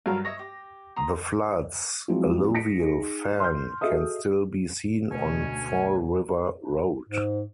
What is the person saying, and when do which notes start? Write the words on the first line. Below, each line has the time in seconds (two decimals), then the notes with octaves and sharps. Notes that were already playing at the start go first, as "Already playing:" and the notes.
The flood's alluvial fan can still be seen on Fall River Road.
0.06 G2 F#3 A4 A#4 F5
0.25 C#5 D#5 E5 A#6
0.39 G4
0.96 A#5 C6 D#6
2.08 F3 F#3 G#3 C4 E4
2.55 A#6 B6 C#7 D7
2.79 D#4 G#4
3.40 C6 F6 G6
3.81 F#4 G#4 A4 D#5 E5 D#6
5.11 D2 B2 C#4 G#5
7.09 G#2